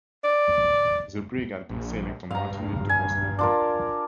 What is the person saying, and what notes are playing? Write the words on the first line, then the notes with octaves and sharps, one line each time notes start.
The brig had been sailing from Martinique to Boston.
D5
A#1
G2 F5 A#5
G#5
D4 F4 A#4